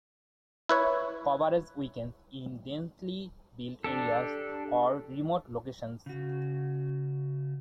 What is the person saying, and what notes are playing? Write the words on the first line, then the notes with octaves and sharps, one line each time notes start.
Coverage weakens in densely built areas or remote locations.
E4 B4 C#5
D4 G4 A4
C#3 F#4